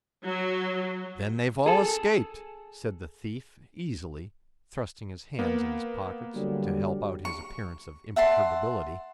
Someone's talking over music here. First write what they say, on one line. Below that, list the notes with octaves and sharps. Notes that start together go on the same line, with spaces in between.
"Then they've all escaped," said the thief, easily, thrusting his hands in his pockets to help out his appearance of imperturbability.
F#3
G#4 A4
A#3 B3
D3 F#3 G3
C#6
E5 F#5 A5 C6